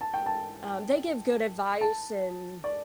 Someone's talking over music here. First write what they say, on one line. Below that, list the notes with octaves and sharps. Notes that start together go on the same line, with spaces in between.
um, they give good advice, and,
A5
G5
A5
A5
D5